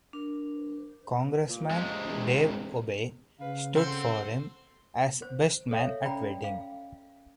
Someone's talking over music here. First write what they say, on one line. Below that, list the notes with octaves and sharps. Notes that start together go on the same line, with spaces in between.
Congressman Dave Obey stood for him as best man at the wedding.
D4 A#4
A#2
F2 C3 G#3
E1
C#3 B4 F5
C4 A4 F#5 C6
C5
A4 C#5 E5 F5
C#4 D5 G5 A#5 B5
F5